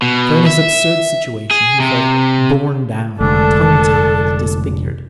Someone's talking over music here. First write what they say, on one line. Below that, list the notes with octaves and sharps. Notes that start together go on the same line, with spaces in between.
For in his absurd situation he felt borne down, tongue-tied, disfigured.
B2
E5
G#4
C3
F1 D3 G#3 A3 D4 A4 A5